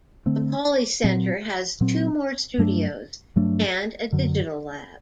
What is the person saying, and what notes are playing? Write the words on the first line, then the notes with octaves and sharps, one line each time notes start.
The Pauley center has two more studios and a digital lab.
D3 A3 C4
A#2 F#3 C4
A#2 F#3 C4
G2 F#3 A3 D4
G2 F#3 A3 D4
F#2 D3 F#3